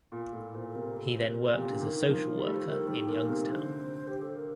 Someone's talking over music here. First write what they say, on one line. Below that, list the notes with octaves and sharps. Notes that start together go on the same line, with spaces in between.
He then worked as a social worker in Youngstown.
A#2 F4
A2 A4
A#2 C5
A4
C3 A#4
A4
C5
A#4
A#2
C3 G4
D3
D#3 A#4
F3
G3
A3
G3 C5
D#3 A#4
D#3 G4
A#2 A#4
C3 A#4
D3 C5
G4
A4
A#4